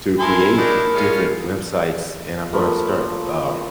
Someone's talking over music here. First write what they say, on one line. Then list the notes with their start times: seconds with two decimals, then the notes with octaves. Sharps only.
to create different websites, and I’m gonna start, um,
0.19 E4 A4 A#4 G#5 C6
0.57 F#3 D4 D#4 A#4
0.93 G#3 C#4 F4
2.53 F3 A3 A#3 B4